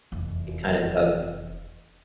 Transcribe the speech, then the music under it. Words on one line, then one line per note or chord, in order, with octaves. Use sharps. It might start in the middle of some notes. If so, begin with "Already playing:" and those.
it kinda sucks,
F1 E2